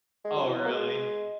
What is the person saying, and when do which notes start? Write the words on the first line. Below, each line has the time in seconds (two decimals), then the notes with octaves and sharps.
Oh, really?
0.25 G#3
0.36 F#3
0.47 E3
0.58 F#3
0.65 A#3
0.69 G#3